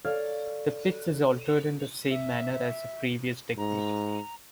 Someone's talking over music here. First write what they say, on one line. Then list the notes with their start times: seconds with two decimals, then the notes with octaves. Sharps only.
The pitch is altered in the same manner as the previous technique.
0.05 A4 C#5 D5 F5 F6
2.10 E5
3.58 G#2 A#5